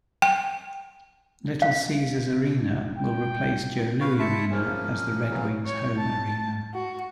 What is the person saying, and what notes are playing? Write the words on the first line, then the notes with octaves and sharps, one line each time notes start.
Little Caesars Arena will replace Joe Louis Arena as the Red Wings home arena.
G5
F5
G5
C#3 B4 F5 C#6
E4 E5 A5 C6 C#7
F3 A#3 C#4 G#4 C5 F6
F6
C#3 E3 F#3
C#5
A5
F#4